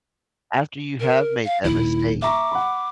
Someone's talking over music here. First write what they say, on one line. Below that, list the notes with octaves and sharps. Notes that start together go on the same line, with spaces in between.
after you have made that mistake
A#4
F5
D#1 E4
E5 A#5 C#6 D6
F#5 B5